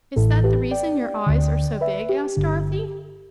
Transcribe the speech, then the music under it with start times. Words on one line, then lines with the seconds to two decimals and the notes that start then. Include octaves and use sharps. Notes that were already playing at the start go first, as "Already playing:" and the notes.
"Is that the reason your eyes are so big?" asked Dorothy.
0.16 A1 A2 E3 A4
0.44 G4 B4
0.71 D5 G5
1.26 D2 D3
1.81 B4 E5
2.09 G4
2.37 G1 G2 D3